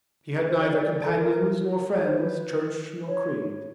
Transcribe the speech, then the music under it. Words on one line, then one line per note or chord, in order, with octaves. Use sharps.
He had neither companions nor friends, church nor creed.
B4
C5
C#5
D5
D5
A4
A#4
C#5
C5
B4
C#5